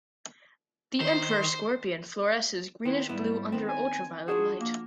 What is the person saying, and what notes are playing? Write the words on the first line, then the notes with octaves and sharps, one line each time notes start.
The emperor scorpion fluoresces greenish-blue under ultra-violet light.
D#3 C5
D#3 B3 C4 E4
G#2 G3 B3 E4
D#3 B3 C4
G#5
F3 D4 F#4 G#4
A#3